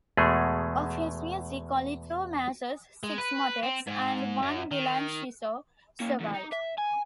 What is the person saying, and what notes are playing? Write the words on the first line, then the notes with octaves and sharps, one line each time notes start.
Of his music only two masses, six motets and one villancico survive.
E2 B2 G#3 A3 G#4
G#3
B4
C4
G#2
F#2
D#3
A#3 C#4
E2 A2
D#4
E5
G#5